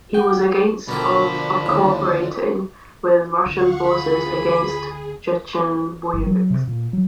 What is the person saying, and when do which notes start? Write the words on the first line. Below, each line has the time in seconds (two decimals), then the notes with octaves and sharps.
He was against of cooperating with Russian forces against Chechen Boeviks.
0.14 F#4 G5
0.88 B2 D3 F3 A4 A#4 G5 B5
1.66 D#2 A2 C#3
3.46 D2 C#3 F4 F5 F#5 C#6
3.86 G#4 B5
6.13 G1
6.26 F#3
6.50 C3
6.67 A#2
6.93 F#3